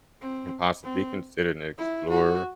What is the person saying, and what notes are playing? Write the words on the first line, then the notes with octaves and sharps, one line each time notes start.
can possibly considered an explorer,
C4
C4
E4
F#4